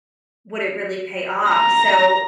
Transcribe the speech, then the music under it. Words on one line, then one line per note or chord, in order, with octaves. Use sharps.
would it really pay off, so,
A#5